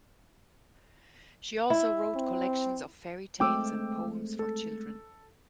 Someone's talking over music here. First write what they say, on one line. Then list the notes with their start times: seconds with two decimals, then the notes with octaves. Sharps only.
She also wrote collections of fairy tales and poems for children.
1.70 E4
2.15 C4
3.40 G#3 A3 C4 G5 D6 E6
4.39 A4